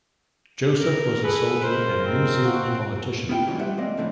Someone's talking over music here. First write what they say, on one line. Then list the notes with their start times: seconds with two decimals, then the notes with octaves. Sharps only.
Joseph was a soldier and New Zealand politician.
0.80 A#4
1.24 G#4 A4 B4
1.63 C#3 G#3 A#4 C5
2.05 C4
2.44 F4 F#4
3.29 B3 E4 F4 F5 G5
3.46 G#2 C#3 E3 F#3 G3 A#3
3.59 G3 F4 G4 B4 E5 F#5
3.77 G#3 A#3 C4 D5 D#5 F5
3.97 A2 D3 E3 F3 A3 D4